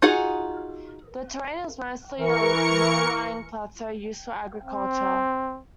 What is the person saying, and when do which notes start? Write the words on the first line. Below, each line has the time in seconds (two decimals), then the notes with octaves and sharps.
The terrain is mostly a low-lying plateau used for agriculture.
0.02 D#4 F4 F#4 G#4 F#5
2.17 E3 A#4 C#6 C#7
4.63 C4